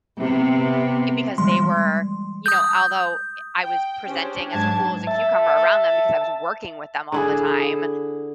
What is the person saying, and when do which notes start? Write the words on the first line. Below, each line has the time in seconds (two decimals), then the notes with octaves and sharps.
eh, because they were you know, although, eh, I was presenting as cool as a cucumber around them, because I was working with them all the time,
0.20 C3 B3
1.38 E3 G3 G#3 C6
2.46 D#6 G6
3.62 G5
4.07 C#4 D4 G4 G#4 C5
4.49 G#2 F#3 D4 A5 G#6
5.07 E5 A5
7.12 D3 E4 G#4